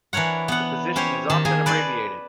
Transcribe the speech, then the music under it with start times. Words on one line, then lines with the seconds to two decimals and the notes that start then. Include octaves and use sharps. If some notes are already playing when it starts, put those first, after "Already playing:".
The position is often abbreviated.
0.13 E3 D4 A#4 C#5 F#5
0.48 B3 F#5
0.96 C#4 G4 C5 C#5
1.30 D#3 A5
1.45 A#3 G#4 G#5
1.66 B4 D5 G#5 A5 C6